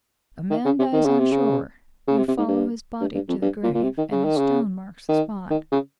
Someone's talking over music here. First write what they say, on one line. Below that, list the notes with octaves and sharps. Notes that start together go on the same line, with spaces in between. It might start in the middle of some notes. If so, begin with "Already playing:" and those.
A man dies on shore--you follow his body to the grave, and a stone marks the spot.
D#3
C#3
C3
D#3
C#3
C3
C#3
C#3
C3
C3
G#2
G2
G2
G2
F2
G2
A#2
A#2
C3
D#3
C#3
D#3
C#3
D#3
D#3
C#3